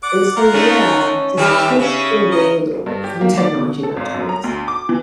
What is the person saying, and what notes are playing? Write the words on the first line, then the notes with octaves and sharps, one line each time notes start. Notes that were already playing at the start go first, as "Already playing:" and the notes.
and so yeah, just trying to pull away a little bit from technology in that terms.
D5 F#5 D6
F4 A#4 F#5
A3 C#4 D#4
D#3 G3 G4 A4 E5
C#3 C#4 E5
A#4 D#5
G2
G4
A#3
D5
B2
A4
G#1
F#2
A#5
D2
D6
E3